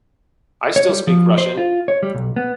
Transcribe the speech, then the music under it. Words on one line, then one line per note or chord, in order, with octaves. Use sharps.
I still speak Russian.
C#5
G3
F3
C5
F4
C#5
G3
B1
B3